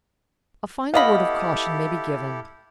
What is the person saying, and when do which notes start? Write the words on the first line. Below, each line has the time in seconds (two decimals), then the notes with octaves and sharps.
A final word of caution may be given.
0.94 B3 E4 G4 A4 D#5 F5 B5